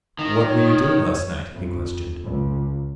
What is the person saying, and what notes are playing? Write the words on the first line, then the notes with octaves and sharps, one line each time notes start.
"What were you doing last night?" he questioned.
D#3
C#5
F2
C#2